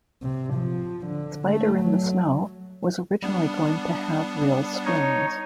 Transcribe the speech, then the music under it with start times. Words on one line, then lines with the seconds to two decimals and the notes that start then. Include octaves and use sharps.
"Spider in the Snow" was originally going to have real strings.
0.22 C3
0.54 F3
1.06 D3
1.47 A3
1.80 F#3
3.22 G3 B3 D4
4.85 D#4 C#5